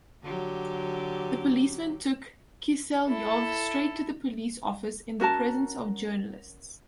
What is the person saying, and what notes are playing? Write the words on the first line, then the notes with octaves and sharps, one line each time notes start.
The policemen took Kiselyov straight to the police office in the presence of journalists.
D3 F#3 G4
E4 A4
C#4 F#4 A#4 A5